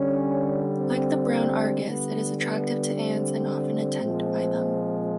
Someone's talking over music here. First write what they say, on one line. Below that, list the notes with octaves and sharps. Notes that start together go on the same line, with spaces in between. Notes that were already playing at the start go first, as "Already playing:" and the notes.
Like the brown argus, it is attractive to ants and often attended by them.
Already playing: D3 G3 C#4
C4
D3 G3 B3
B3
C4
A#2 F3 G#3